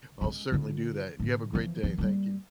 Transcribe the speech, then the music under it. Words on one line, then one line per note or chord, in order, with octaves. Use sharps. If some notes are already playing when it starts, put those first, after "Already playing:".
I'll certainly do that, and you have a great day, thank you.
G#3 C#4
D3 F4
A2 D3
E3 F3
D#3 F3
G3 A#3